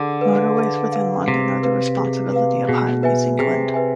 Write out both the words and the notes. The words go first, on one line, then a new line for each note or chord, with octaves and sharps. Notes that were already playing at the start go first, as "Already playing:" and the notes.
Motorways within London are the responsibility of Highways England.
Already playing: D3 G#4
B4 F5
G#4
B4 F5
C3 G#4
B4 F5
G#4
B4 F5
B2 G#4
B4 E5 G#5
C3 G#4
B4 E5 G#5